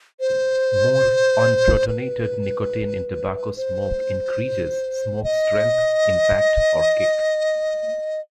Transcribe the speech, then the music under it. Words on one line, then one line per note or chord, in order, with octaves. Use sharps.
More unprotonated nicotine in tobacco smoke increases smoke "strength", "impact", or "kick".
C5
B4
C5
D#5